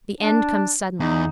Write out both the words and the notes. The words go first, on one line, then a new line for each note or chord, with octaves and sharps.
The end comes suddenly.
D4
E2 D#4